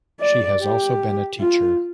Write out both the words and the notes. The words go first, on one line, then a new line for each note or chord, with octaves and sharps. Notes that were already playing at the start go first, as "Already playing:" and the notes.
She has also been a teacher.
D5
G4
F4